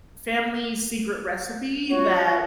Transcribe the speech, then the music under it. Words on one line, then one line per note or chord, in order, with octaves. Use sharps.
family secret recipe that
F4 F#4 C#5